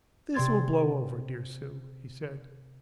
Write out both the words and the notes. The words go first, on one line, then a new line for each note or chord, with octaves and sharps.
"This will blow over, dear Sue," he said.
C3 D5 C6 G#6 A6